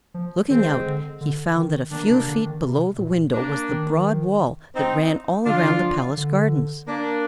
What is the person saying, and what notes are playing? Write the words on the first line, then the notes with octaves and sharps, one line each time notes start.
Looking out, he found that a few feet below the window was the broad wall that ran all around the palace gardens.
F3
D#3 G#3 C4
D3
D3
D#3
D#3 A#3 D4
C3
D3
D#3
C3
A#2
A#3 D4
D#3
C4 D#4
D3 D4 F4
D3
F3
D3
A#3 D4